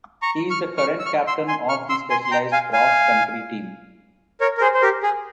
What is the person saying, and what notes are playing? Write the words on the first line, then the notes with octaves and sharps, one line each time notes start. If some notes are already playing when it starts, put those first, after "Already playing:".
He is the current captain of the Specialized Cross Country Team.
A#5 C#6
C#6 F6
C#6 F6
E6
C#6 F6
C6 E6
G#5 C6
C#6 F6
C6 E6
G#5 C6
C6
G5 A#5
F5 G#5
F5 G#5
A#4 C#5
A#4
G#4 C5
C5
G4 A#4
G#4